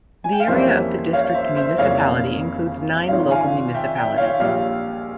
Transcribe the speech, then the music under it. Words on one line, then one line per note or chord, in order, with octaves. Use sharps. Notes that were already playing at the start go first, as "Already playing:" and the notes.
The area of the district municipality includes nine local municipalities.
G#5
G5
F5
F2 E3 G3 A#3 C#4 C5 E5
C#5 F5
C5 E5
C5 E5
F1 F2 C#3 E3 A#3 C#5 F5
G#1 G#2 F3 C#5 F5
F5 G#5
E5 G5
E5 G5
C#5 F5
A#1 A#2 G3 C#5 F5